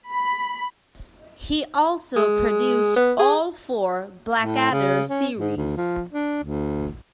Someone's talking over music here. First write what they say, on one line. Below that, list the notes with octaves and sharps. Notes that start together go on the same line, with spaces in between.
He also produced all four "Blackadder" series.
B5
G#3
B3
G#4
A2
C#3
C#4
G#2
D2
F3
D4
D2